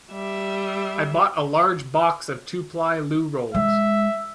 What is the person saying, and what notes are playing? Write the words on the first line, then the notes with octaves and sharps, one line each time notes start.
I bought a large box of two-ply loo rolls.
G3 E5
G#3 E5